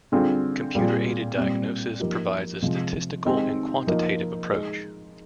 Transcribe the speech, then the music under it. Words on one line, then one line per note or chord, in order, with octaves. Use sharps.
Computer-aided diagnosis provides a statistical and quantitative approach.
D3 G3 C4 F4 G#4
A#2 G3 C4 F4 G#4
A#2 G3 C4
F3 A#3 D#4 G4
C3 F3 G#3
D#3 G#3 C4 G4
F3 A#3 D#4
G#3 D#4 G#4